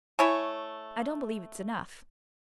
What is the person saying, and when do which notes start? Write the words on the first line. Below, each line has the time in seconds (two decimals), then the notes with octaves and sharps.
I don't believe it's enough.
0.19 A3 E4 C#5 G#5